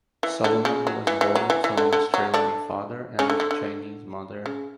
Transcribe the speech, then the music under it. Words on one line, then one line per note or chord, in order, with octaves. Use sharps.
Solomon was born to an Australian father and Chinese mother.
E3
D3
C#3
F#3
E3
E3
F#3
E3
E3
D3
D3
F#3
D3 D4
C#3 C#4
D3
D3
D3
C#3